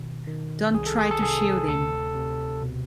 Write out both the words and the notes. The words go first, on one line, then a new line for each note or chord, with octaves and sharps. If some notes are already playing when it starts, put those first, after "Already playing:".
Don't try to shield him.
Already playing: B2 D#3
D#3
C2 G#4
A4
G#4
A4
C3 G#4
D2 A4
C3
B2